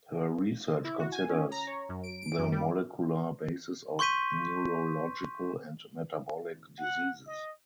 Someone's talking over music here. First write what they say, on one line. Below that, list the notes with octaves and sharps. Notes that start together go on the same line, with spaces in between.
Her research considers the molecular basis of neurological and metabolic diseases.
E4
F#4
G#5
C#4
A#5
C#5
F#2
D7
D7
F#2
G3
C6 C#6 G6 B6 D#7
F#5
D#5